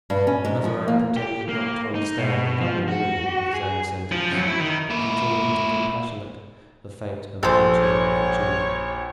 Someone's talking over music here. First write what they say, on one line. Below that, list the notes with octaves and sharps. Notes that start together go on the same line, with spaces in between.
Mazarin pretended not to understand the double meaning of his own sentence, but continued to compassionate the fate of Concino Concini.
G2
C#4
G#2
F3
A#3
G4
A#3
D#4
B2
F3
F#4
G#4
F3
F#2 F#3
E4
D#3
A#2 E4
A#1 A4 C5
C#5